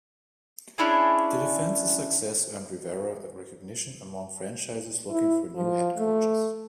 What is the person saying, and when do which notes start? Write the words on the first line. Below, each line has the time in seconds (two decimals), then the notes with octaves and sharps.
The defense's success earned Rivera recognition among franchises looking for new head coaches.
0.78 C#4 D4 E4 G#4
5.10 E4
5.55 F3
5.98 A3